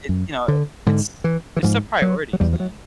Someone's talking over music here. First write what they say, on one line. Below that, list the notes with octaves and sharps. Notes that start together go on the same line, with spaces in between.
it, you know, it's it's the priorities and
F#2
D3
G#2 D3
E3
E3
G#2 F3
F#3
F#3
E2 G3
F3
F#3